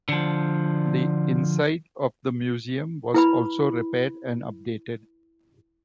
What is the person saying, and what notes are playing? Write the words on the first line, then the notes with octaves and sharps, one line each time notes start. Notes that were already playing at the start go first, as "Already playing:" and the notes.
The inside of the museum was also repaired and updated.
D3 F3
E4 B4 B5